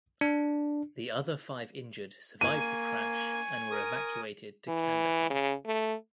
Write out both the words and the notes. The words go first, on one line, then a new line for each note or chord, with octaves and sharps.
The other five injured survived the crash and were evacuated to Kandahar.
D4
A#3 G#5 C#6 D#7
A#4 D#6
E3
C#3
A3